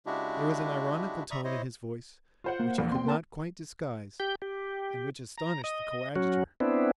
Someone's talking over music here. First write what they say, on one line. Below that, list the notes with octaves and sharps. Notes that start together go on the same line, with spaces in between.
There was an ironical tone in his voice which he could not quite disguise and which astonished the coadjutor.
C#3 G#3 D4 E4 F#4 G4
D5 E5 A#5 B5 C#6 D#6
E4 C5 C#5 D#5
F4 C5 F#5
A#3
A#1 E2
C4 G5 C6
A#3 A#4 A5
G4 G6
G4
A#5
D#5
F#3 C#4 F#4
B3 C4 D4 E4